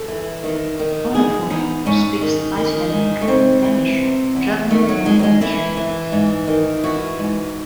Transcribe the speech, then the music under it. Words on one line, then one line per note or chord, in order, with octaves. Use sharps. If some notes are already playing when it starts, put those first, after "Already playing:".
Olafur speaks Icelandic, Danish, German, and English.
Already playing: A4
E3
D#3
D#3
E2 G#4
E2 D#4
G#2 C#4
D#3
D#3
G#2
A3
C#3 C4
E3
C3
E2
D#3 A3
F#3
D#2 G#3
F#3
G#3
E3 E4
E3
G#2
D#3
E3 F#4
G#2